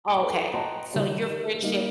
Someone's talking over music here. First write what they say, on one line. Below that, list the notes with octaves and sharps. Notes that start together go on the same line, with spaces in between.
Oh, okay. So, your friendship
C#6 D6 C#7 D7
A4 B4
D#5 F#5 G5 A5 A#5 C6
D#3 G3 C#5
A#4 E7
G3 A#3 D#4 A#4 D#5